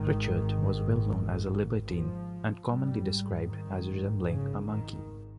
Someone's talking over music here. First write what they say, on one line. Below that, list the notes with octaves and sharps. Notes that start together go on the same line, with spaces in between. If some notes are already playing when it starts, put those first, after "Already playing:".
Richard was well known as a libertine and commonly described as resembling a monkey.
Already playing: G#1 G#2 D#3
F3
G#1 G#2 G3
D#3
C#3
D#3